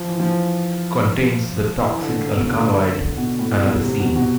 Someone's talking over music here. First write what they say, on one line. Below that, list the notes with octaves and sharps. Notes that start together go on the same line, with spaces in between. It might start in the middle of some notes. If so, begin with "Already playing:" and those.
Contains the toxic alkaloid anabasine.
Already playing: F3
E3
F3
E3
D3
A2
B2
D3
B2
A2
B2
C3
B2
B2